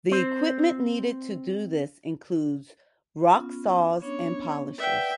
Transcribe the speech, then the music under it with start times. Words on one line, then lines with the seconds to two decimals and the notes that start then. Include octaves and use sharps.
The equipment needed to do this includes rock saws and polishers.
0.11 C4 C5
3.31 B3 C#4 F4
4.02 B3 C#4 D4 C#5
4.78 B4 D5 E5 F#5 G5